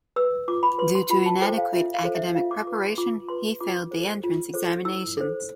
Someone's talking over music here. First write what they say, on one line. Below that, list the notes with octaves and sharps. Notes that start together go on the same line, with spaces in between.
Due to inadequate academic preparation, he failed the entrance examinations.
B4 E6
F4 D6
B5
B4 C6
C6
F4 B5
A5
A4 C5 G5
F5
F4 E5
F5
A4 C5
E5
F4 F5
D6
B4 D6
C6
F4 D6
B4 C6
F4 D6
A4 C5
F4
A4 C5
E4 E6
A4 C5